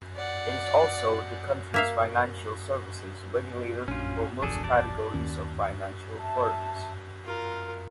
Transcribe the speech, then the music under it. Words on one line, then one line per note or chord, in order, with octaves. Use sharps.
It is also the country's financial services regulator for most categories of financial firms.
D5 F#5
A#3 E5 F5
A#1 F#2 C#4 D4 F4
E1 A#1 E2 D4 G#4 A4
D5 A5
D#2 D#3 C#4
E5 A5
F4 A#4